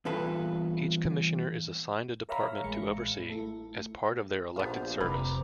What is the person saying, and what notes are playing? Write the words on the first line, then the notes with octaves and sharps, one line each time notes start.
Each commissioner is assigned a department to oversee as part of their elected service.
E2 G2 A#2 A4 B4
A#4 C#5 E5 F5 A#5 B5
A1 G#3 C#7
A3 E4
A#1 B3 G4 C5 F5
F1 B4 C5 A#5 D6